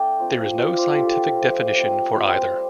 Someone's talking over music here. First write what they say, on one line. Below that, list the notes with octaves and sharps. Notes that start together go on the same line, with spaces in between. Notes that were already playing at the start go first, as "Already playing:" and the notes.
There is no scientific definition for either.
Already playing: A3 D4 G5 A5 D6
F3 C4 F4
F3 C4 F4 F5
D5
C5
A4
G3 D4 F4 G4
A4
C5
D6
F3 A3 F4
G3 C4 F4
G3 C4 F4 C5
G3